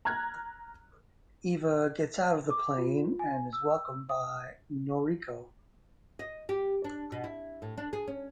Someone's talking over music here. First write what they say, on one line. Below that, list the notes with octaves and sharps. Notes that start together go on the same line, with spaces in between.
Eva gets out of the plane and is welcomed by Noriko.
A#5 F6 F#6 G#6
D6
F4
G#5
E6
D#6
D#5
G4
D4
B2
E4
A2
D4
G#4
C#4